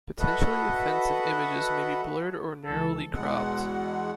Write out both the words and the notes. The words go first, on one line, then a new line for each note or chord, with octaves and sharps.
Potentially offensive images may be blurred or narrowly cropped.
F#4 A4 B4 D#5 E5 F#5
C#2 E3 A4
E2 B2 G#3 F#5